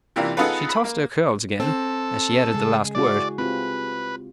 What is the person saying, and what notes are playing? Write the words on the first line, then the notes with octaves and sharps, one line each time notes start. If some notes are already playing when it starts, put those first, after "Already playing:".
She tossed her curls again, as she added the last word.
C3 E3 A#3 D4 F4
B3 D#4 F4 G#4 A4 B4
B5
A#3
C4 A4
C#3 G#3 G#4
G#3 E4 F#4 D5
C4 F4 G4 B4